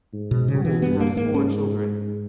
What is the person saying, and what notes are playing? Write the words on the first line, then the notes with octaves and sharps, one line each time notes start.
Gould had four children.
G#2
B2
C#3
E3
G2 B3
A#3
G#2 A#3
C#4